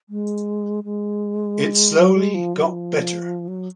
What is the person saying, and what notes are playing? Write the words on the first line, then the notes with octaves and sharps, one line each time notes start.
It slowly got better.
G#3
G#3
F#3
G#3
F3
F#3
F3
F#3